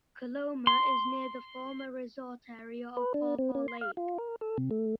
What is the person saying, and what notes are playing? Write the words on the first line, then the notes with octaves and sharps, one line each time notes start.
Coloma is near the former resort area of Paw Paw Lake.
C6
B4
D4
C4
C#4
C6
F5
F4
A#4
A4
C3
A3